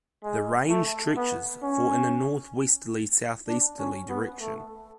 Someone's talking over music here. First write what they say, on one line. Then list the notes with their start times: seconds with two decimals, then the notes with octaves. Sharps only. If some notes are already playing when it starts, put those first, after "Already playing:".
The range stretches for in a northwest-southeasterly direction.
0.24 G#3
0.70 A3
1.17 B3
1.63 C#4
3.48 D4
3.79 C#4
4.09 B3
4.41 A3